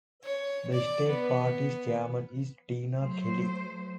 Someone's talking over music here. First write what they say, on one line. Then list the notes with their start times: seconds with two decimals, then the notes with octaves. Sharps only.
The state party's chairman is Tina Kelly.
0.24 C#5
0.73 D5
1.08 B3
2.96 F#3 A3 C5